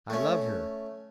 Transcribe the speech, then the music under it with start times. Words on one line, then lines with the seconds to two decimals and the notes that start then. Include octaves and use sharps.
I love her.
0.10 A3 C#4